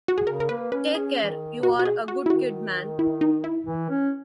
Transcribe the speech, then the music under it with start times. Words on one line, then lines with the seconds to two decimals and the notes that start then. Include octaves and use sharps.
Take care, you're a good kid, man.
0.08 F#4
0.18 G#4
0.27 C#3 A#4
0.40 A#4
0.49 A#3 B4
0.72 C#4 B4
0.95 C#4 G#4
1.23 E3
1.29 D#3
1.62 B2 F#4
1.79 F#4
1.85 G#4
2.08 F#4
2.26 E4
2.30 D#3 F#4
2.99 E4
3.21 D#4
3.44 E4
3.66 E3
3.90 C#4